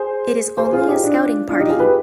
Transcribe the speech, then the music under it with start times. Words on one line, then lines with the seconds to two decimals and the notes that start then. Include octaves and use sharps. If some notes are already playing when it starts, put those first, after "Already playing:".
It is only a scouting party.
Already playing: G#4 C5
0.57 G#4 C5
0.72 F4 G#4
0.88 D#4 G4
1.04 D4 F4
1.49 D4 F4
1.59 D#4 G4
1.69 F4 G#4
1.79 G4 B4